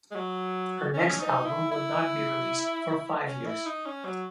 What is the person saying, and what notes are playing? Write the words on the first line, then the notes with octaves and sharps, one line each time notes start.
Her next album would not be released for five years.
G#3
F#3
C#4
D#4
E4
E4
C#4
E4
D#4
C#4
F#3